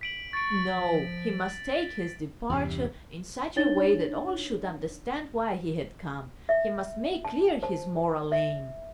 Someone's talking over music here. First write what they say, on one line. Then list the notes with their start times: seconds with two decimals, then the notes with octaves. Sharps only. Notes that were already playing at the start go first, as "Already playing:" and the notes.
No, he must take his departure in such a way that all should understand why he had come, he must make clear his moral aim....
0.01 B6 D7 F#7
0.33 C#6 A6 D7
0.73 F3
2.49 E2 G2 C3
3.56 D4 D#4 C#5 A6 G7
6.49 E5
7.25 A5
7.63 C5 A5
8.32 E5